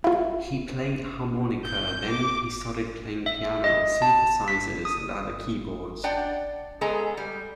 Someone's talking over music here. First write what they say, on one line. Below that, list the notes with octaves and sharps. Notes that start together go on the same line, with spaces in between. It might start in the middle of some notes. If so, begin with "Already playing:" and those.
He played harmonica, then he started playing piano, synthesizers and other keyboards.
E4 F4
G6
D6
E5
D#5
A5
B6
D#6
D4 D5 F#5 G5
G#3 B3 G#4 A4 A#5
G3